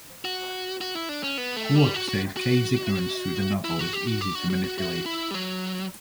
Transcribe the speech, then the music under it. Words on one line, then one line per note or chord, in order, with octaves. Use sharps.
Wood says Kaye's ignorance through the novel is easy to manipulate.
F#4
F#4
E4
D4
C#4
B3
A3
G3
F#4
F#4
F#4
E4
F#4
G4
F#4
G4
F#4
F#4
F#4
F#4
E4
G3
F#3